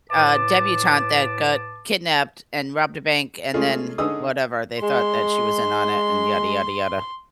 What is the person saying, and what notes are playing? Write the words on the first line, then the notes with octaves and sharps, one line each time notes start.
uh, debutante that got kidnapped, and robbed a bank, and then, whatever. They thought that she was in on it, and yada, yada, yada.
A2 B4 A5 D6
G#3 A3 C#4 F4 G#4
D3 C#4 D#4 G#4 D#6 E6
G#3 C6